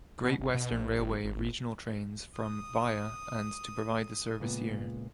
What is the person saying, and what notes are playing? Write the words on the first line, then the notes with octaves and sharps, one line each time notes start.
Great Western Railway regional trains from "via" and to provide the service here.
B2
G1
B2
A#1
G1
G#1
D#6
C#2 A#2 B3